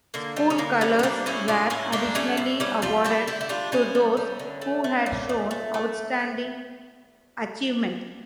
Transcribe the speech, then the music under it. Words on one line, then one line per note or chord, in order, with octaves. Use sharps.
"School colours" were additionally awarded to those who had shown outstanding achievement.
D3 A#3
G3 A3
C#4
D3 A#3
G3 A3 C#4
C#4
G3 A#3 D4
A2 C#4 E4
A2 D4 F4
A2 C#4 E4
G3 A#3 D4
G3 A3 C#4
A2
G3 A3 C#4
G3 F4 A4
G3 E4 G4
D3 E4 G4
E4
G3 D4 F4
G3 C#4 E4
G3
G3
D3
A3
A3
A#2
A3
A3
A3